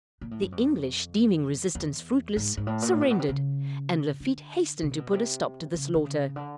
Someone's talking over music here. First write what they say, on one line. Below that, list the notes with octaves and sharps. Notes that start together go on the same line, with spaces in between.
The English deeming resistance fruitless, surrendered, and Lafitte hastened to put a stop to the slaughter.
A#2
A2
F#2
F2
E2
G#2
G#2
A2
A#2
A2
A#2
B2
C3
C#3
D3
C3
B2
C3
C#3
D3
C#3
D3